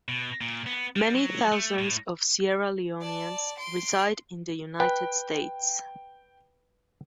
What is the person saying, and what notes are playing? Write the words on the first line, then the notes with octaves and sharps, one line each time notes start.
Many thousands of Sierra Leoneans reside in the United States.
B2
A#2
B3
G3
F#3
A3
A2
D5 A5
C6 D7
B4 G5